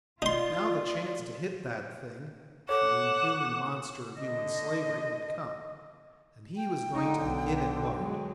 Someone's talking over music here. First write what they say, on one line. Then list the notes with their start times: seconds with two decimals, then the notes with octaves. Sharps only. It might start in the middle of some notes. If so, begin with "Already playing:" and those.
Now the "chance to hit that thing"--the inhuman monster of human slavery--had come, and he was going to "hit it hard."
0.22 D#4 F4 D5 C6
2.69 A4 C#5 F#5 D6 E7
4.17 D3 D#5
6.57 G5
6.94 D3 D#4
7.24 B1
7.98 F#3 G#3